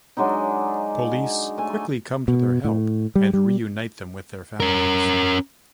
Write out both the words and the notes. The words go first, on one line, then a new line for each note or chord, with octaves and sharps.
Police quickly come to their help and reunite them with their families.
F#3 G#3 D4 D#4
A3 G#5
B2
A2
G3
G3
C#4 A#4